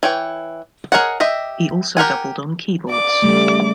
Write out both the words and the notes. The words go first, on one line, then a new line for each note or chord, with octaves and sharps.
He also doubled on keyboards.
E3 C#5 G5
G#4 A#4 C#5 D#5 F#5
G4 D#5 E5
G4 A#4 F#5 G#5
D5 D6
C#3 G3 A3